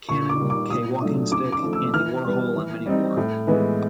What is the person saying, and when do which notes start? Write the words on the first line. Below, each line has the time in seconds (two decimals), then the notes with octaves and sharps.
Cannon, Kay WalkingStick, Andy Warhol, and many more.
0.09 A#2 C#6
0.29 D6
0.39 G3 A#3
0.50 D6
0.70 A#2 D#6
1.01 F#3 A3 D4
1.32 C#3 D6
1.52 D6
1.63 F3 A3
1.73 E6
1.94 E3 F6
2.24 G3 B3
2.56 E3
2.86 G3 C4 D#4
3.17 A2
3.47 E3 G#3 B3 E4